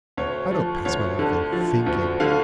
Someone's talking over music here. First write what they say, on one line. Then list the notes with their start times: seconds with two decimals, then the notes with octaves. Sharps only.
"I don't pass my life in thinking."
0.17 D2 C#5
0.51 F3
0.85 D2 C#5
1.19 D3
1.52 F3
1.86 D2
2.20 D3 F5